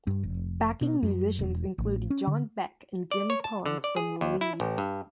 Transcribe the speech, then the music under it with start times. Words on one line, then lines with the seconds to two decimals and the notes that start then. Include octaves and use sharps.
Backing musicians include John Beck and Jim Pons from the Leaves.
0.07 G2
0.23 F1
0.81 B2
1.03 F#2
1.39 E1
1.78 A1
2.10 C#4
2.27 D3
3.11 D5
3.30 C#5
3.44 A5
3.66 D3
3.84 D5
3.96 G#4
4.21 D#2
4.41 E4
4.60 A1
4.78 G2